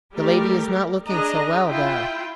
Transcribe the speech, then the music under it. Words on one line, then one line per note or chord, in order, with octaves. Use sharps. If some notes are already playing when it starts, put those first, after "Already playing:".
The lady is not looking so well, though.
G3 A3 G4 A#4
D4 G#4 D#5 A#5
E4 F4 G5